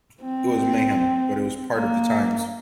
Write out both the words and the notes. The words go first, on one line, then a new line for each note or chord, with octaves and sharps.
It was mayhem, but it was part of the times.
C4
A#3